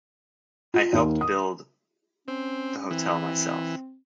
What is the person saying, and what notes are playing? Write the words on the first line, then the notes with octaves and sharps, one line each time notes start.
I helped build the hotel myself.
F4
D#2
D#6
C4 C#4
E3 C4